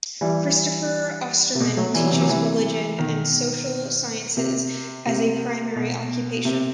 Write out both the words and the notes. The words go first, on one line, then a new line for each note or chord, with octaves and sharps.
Kristoffer Osterman teaches religion and social sciences as a primary occupation.
E3 G3
C3
B2
F#3 A3
E3 G3
F#3
C3 E3
F#3
C3 E3
B2 D#3
C3
C3
B2
C3